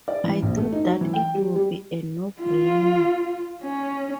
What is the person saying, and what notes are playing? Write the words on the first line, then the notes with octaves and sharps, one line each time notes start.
I thought that it would be a no-brainer.
D5
E3
A#1
A3
D#4
F#3
E3
G5
G3
G3
F4
C#4